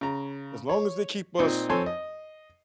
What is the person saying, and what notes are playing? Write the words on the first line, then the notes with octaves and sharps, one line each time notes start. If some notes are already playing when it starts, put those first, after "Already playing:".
As long as they keep us
C#3 A#5
C#5
A#2 C4 D#4
F2 C4 A4 C#5 G#5 C6
D#5